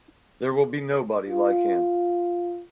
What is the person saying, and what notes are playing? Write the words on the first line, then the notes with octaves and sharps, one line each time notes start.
There will be nobody like him.
F4